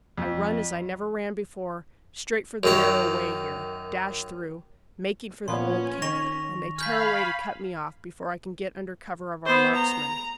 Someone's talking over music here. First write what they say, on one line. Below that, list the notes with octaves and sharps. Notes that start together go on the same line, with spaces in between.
I run as I never ran before, straight for the narrow way here, dash through, making for the old camp, and they tear away to cut me off before I can get under cover of our marksmen.
F2
F#2 D#3 C#5
A#2 F3 B3 C#4 C6
D#3 C#6 A#6 F7
F5 G#5 B5 F6 G6 B6
B3 C5
A#5